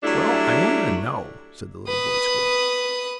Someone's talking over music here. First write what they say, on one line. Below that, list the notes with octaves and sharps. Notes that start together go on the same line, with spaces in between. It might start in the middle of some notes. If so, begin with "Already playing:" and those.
"Well, I wanted to know," said the little boy squirrel.
F#3 G3 A3 D4 E4
B4 D#6